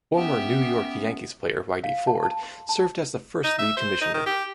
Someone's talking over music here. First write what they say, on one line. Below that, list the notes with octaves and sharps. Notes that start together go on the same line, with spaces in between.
Former New York Yankees player Whitey Ford served as the first league commissioner.
B3 C#4 G4 E5
F5
A5
A5
C6
A5
D#4
E5
C5
D#4
D#3
G4